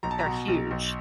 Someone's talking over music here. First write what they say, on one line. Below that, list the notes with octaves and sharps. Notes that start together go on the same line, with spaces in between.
They're huge.
B1 A#5
A5
A#5
B2
B1
B1